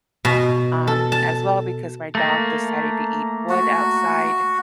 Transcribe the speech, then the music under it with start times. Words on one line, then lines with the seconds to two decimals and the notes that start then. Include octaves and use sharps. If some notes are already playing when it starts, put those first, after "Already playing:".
um, as well because my dog decided to eat wood outside,
0.25 B2
0.87 A4
1.12 A5
2.15 A3 A#3
3.50 F#4